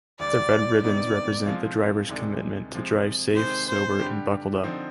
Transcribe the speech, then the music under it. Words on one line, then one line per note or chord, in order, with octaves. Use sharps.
The red ribbons represent the drivers' commitment to drive safe, sober and buckled up.
D2 D3 G3 D5
C3 D#3 B3 D#4 D5
F3 G#3 C4 F4
D2 C3 D#3 G#3 D4
C3 F3 G#3
C3 D#3 G#3 C5
C5
G2 D3 G3 D4 G4
D3 F3 C4 D#4